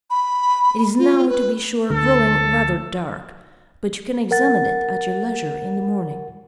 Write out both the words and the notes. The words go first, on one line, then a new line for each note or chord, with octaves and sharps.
It is now, to be sure, growing rather dark--but you can examine it at your leisure in the morning.
B5
F4
B4
D2 D3 A4
A#4 F#5 A6